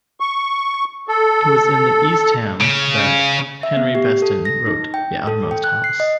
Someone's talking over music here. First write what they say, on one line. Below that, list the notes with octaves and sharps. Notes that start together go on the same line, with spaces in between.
It was in Eastham that Henry Beston wrote The Outermost House.
C#6
A4
C#3
E5
B3
G4
A4
A#6
D#4
G5
A4
G5
F#6
C7
D#5